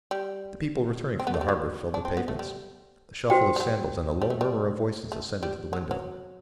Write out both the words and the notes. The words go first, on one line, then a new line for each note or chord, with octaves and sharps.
The people returning from the harbour filled the pavements; the shuffle of sandals and a low murmur of voices ascended to the window.
G3
C4
B3
A3
G3
F#3
D4
C4
B3
A3
G3
F#3 F#4 C5 G5
G3
F#3
G3
A3
G3
A3
G3
F#3
F#3